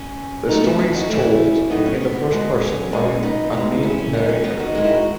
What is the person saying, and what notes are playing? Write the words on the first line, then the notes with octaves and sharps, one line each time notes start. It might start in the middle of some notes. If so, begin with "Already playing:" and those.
The story is told in the first person by an unnamed narrator.
Already playing: C#4
B2 F#3 A3 B3 D#4
C#4 E4
C#4 E4
D#4 F#4
A2 E3 A3 C#4 E4
A2 F#3 A3 B3 D#4
C#4
B3
B2 G#3
C#4
C#3 G#3
B3 D#4
A2 G#3
C#4 E4
C#4
D#3 G#3 B3
C#4
B3 D#4
D#4 F#4
D#3 G#3
E4
F#4